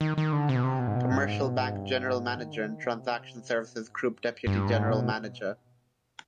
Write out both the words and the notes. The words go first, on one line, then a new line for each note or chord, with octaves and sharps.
Commercial Bank General manager and Transaction Services Group Deputy General Manager.
D#3
D#3
D3
C3
B2
C3
B2
G#2
B2
G2
G#2
B2
G#2
G2
G#2
D#3
D3
D#3
B2
C3
B2
G#2
G2
G#2
G2
G#2
B2